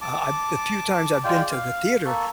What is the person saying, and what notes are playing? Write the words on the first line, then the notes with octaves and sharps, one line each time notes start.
uh, I the few times I've been to the theater,
A5 D6
G#3 F4 D5 G5
F5
A#3 A4 C#6